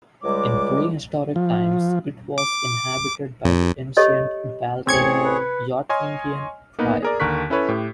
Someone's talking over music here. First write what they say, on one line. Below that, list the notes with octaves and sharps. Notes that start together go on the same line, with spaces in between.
In prehistoric times it was inhabited by the ancient Baltic Yotvingian tribe.
C#2 G3 G#3 D6
F3
D6
F2
G4 A4 C#5 D#5
A1 C3 C4 G#4 C#5 G#6 C#7
B4
C#5 D#5 G#5 C6 F6
A#3 B3 D#4 A#4 B4
G#4 A#4 D5
D#2 D3 A#4 C#6 F#6 B6
C#4 E4 A4 B4 C#5
A2 G4